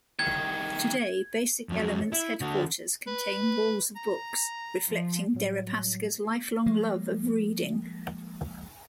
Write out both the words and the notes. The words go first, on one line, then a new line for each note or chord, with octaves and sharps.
Today, Basic Element's headquarters contain walls of books, reflecting Deripaska's lifelong love of reading.
C2 D#3 G#6
F2 F#3
E4
D3 F#4
B4
A#5
F3
A2 F#3 G3
F3 G3 G#3 A#3